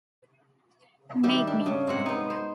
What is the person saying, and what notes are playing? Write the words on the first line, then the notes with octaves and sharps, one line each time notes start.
Make me!
D#3 G3 G4 E5
D4
C#3
C3 G#3 C4 F#5
B3 D#4
C5